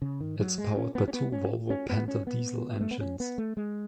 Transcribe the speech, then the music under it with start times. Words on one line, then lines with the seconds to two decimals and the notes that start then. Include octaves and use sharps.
It is powered by two Volvo Penta diesel engines.
0.02 C#3
0.20 D#3
0.39 F#3
0.58 G#3
0.77 C#4
0.95 B3
1.08 C#4
1.14 B3
1.32 C#4
1.70 C#4
1.89 B3
2.08 C#4
2.27 B3
2.81 A3
2.91 B3
3.01 C#4
3.20 B3
3.38 A3
3.57 G#3